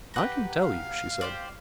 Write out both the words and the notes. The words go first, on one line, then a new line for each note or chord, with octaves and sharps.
"I can tell you," she said.
G4 B4 F#5 A#5
F5
G4 C5 D5